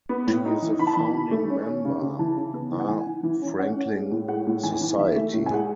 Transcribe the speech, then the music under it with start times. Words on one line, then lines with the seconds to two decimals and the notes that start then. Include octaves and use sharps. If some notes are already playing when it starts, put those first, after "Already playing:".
She is a founding member R. Franklin Society.
0.09 B3
0.27 A2
0.45 D#4
0.62 E3
0.79 E3 B5
0.87 A5
0.93 E3 B5
1.14 D#3
1.31 A3
1.50 C#4
1.66 D#3
1.85 C#3
2.01 C#3
2.19 E3 A5
2.37 C#3
2.53 B3
2.71 E3
2.80 F#5
2.88 E3 G#5
3.07 E3
3.23 E3
3.42 C#4
3.59 C#4 F#5
3.76 C#4
3.94 G#3
4.11 A2
4.28 G#3 F#5
4.47 A2
4.63 E3 G#5
4.81 E3
4.98 E3 E5
5.16 A3
5.33 A2
5.46 G#5
5.51 G#3 F#5